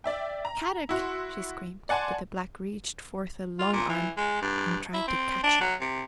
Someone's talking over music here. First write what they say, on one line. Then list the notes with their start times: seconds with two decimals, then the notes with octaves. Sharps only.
"Kadok!" she screamed, but the Black reached forth a long arm and tried to catch her.
0.04 D5 E5 G5
0.45 A#5
0.89 E4 F#4 C6
1.89 D5 F#5 G#5 A5 C6
3.59 F4
3.73 A#2
3.89 E3
4.17 G#3
4.42 G2
4.94 E4
5.08 C4
5.43 D4
5.61 F#3
5.80 C3